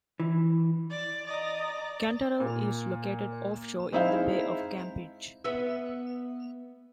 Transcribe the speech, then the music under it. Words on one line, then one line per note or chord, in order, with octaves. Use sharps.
Cantarell is located offshore in the Bay of Campeche.
E3
D5
D5 D#5 A#5
A#2
G#3 C4 D#4 E4 C5 F5
B3 E5